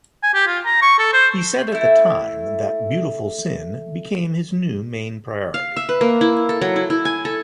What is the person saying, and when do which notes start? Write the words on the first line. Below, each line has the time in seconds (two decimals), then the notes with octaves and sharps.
He said at the time that Beautiful Sin became his new main priority.
0.23 G#5
0.34 G4
0.47 F4
0.65 A#5
0.82 C#6
0.98 A4
1.13 C5
1.72 A3 E4
5.54 F5
5.77 E5
5.89 B4
6.01 A#3
6.21 E4
6.49 A4
6.61 F#3
6.76 E4
6.90 E4
7.05 G#5
7.25 A4